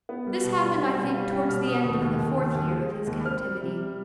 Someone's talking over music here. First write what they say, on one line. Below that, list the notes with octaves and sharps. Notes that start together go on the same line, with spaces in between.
This happened, I think, towards the end of the fourth year of his captivity.
B3
G3
B2
G3
B2
G3
G3 F5
G3 G5
B2 F6
B2 D#6
D#2 D#6
D#2
D#2
D#2
D#2
G#3
G#3
D#2
C4 F6
G3
C3
G3